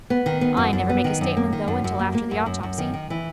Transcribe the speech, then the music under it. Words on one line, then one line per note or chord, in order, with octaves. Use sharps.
I never make a statement, though, until after the autopsy.
B3
D#3
B3
F#2
F#2
B3
D#3
F#2
A#3
D#3
F#2
F#2
A#3
A#3
F#2
F#2
F#2
D#3
D#3
E3